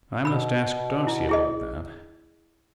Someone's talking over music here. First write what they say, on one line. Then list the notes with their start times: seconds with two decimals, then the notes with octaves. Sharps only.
I must ask Darcy about that.
0.25 B2 B5 E6
1.07 E4
1.29 E4 G#4 D#5